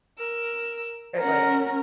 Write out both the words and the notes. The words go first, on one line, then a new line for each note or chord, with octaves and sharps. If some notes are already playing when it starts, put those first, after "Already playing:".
uh, like,
A#4 E6
C#4 A#4 C#5 F#5